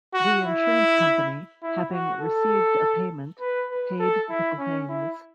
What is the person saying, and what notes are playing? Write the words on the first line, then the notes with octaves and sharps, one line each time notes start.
The insurance company, having received a payment, paid the claims.
F#4
E4
E4
F#4
A4
B4
B4
A4
E4
C#4
E4